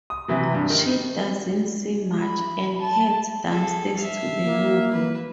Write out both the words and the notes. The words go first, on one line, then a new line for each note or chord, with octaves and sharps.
She doesn't see much and heads downstairs to the lobby.
D#6
C3 E3 F#3
G2 G3
D#3
B5
A5
G#4 A4
E5 F5
A#3
B4